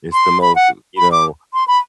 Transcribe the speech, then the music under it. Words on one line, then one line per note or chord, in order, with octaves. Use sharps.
It's the most, you know,
C6
B5
F#5
B5
D6
C6
B5